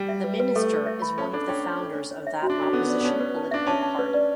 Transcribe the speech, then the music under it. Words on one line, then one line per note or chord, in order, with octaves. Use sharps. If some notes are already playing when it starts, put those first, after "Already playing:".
The minister is one of the founders of that opposition political party.
Already playing: G3
E5
B4
B4
A3 A4
A4
E5
B5
C#4 A4
D4 A4
C#4 G5
C#5
A4
D4
C#5
E5
F#4
D4
C#4 A4
B3 A4
D5
B3
C#4 A5
B4
A5
D4 E5
C#4 A5
A5
B4
D5